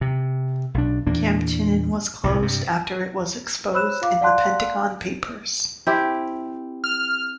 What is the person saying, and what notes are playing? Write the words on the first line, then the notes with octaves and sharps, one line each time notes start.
Camp Chinen was closed after it was exposed in The Pentagon Papers.
C3
B1 D4
E2 A#2 A#3 D4
C2 A2 C3
G2 C3
C5 C#5 B5 E6 F#6 E7
F4 F5 D6
D5 F5 F#5 A5 C6 F#6
C4 E4 G4
F6